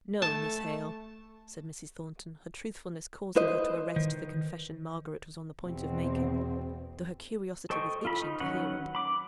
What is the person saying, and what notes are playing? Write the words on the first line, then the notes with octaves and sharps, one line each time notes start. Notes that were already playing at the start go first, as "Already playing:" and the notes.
'No, Miss Hale,' said Mrs. Thornton, her truthfulness causing her to arrest the confession Margaret was on the point of making, though her curiosity was itching to hear it.
A3 A5
E4 B4 C5 D#5
D#3
E2 B2 C4
A4 C5 D#5 G5 C#6
F4 A4 B5
D#4
D#3 F#3 C#4 B4 F#5
B5 D6